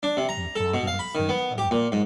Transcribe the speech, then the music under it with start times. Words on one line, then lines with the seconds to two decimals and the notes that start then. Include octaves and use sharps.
And the fog will have set, ugh.
0.03 D4
0.17 C3
0.29 A#5
0.56 A4
0.74 B2
0.87 F5
0.99 B5
1.15 D#3
1.29 B3
1.58 G4
1.71 A#2
1.92 G#2